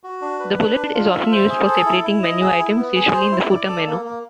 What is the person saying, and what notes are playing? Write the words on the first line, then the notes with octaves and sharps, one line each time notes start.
The bullet is often used for separating menu items, usually in the footer menu.
F#4
D4
B4
D4
D4
F4
E5
C5
G#4
A4
E4
E4
D#5
G#4
E4
B3
G#4
C5
E4
D5
A4
A#3
A#3